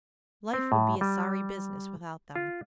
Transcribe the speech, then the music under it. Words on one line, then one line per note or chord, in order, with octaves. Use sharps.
Life would be a sorry business without them.
C4
A2
G3
F4